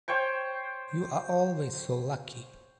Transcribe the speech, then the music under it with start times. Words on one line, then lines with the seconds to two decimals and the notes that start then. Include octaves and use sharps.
You are always so lucky.
0.08 C5 C#5 G5 C#6